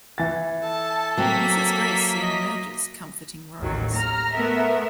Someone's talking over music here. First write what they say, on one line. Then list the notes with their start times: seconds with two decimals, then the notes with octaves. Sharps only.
Mrs. Grace soon emerges, comforting Rose.
0.18 E3 A6
0.63 A4 A5
1.17 F#3 A#3 C4 B6
2.21 D#5
3.60 A1 D#2 F#3
3.94 A#5 F6
4.33 A3 B3 A#4 E5